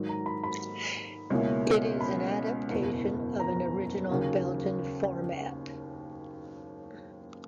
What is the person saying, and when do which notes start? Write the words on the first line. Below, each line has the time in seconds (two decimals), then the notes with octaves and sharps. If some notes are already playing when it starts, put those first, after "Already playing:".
It is an adaptation of an original Belgian format.
Already playing: G#2 D#3 F#3
0.09 A#5
0.26 B5
0.44 B5
1.30 C#2 B2 A#3 C#4 E4
2.01 B5
2.70 F#1 E2 B2
3.39 A#5
4.09 D#2 C#3 F#3 A#3